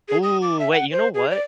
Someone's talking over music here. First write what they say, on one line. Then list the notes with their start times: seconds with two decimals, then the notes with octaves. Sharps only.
Ooh, wait, you know what,
0.09 G#4
0.23 D#6
0.42 D6
0.59 E5
0.72 F#5
0.92 C5
1.14 G#4
1.30 D5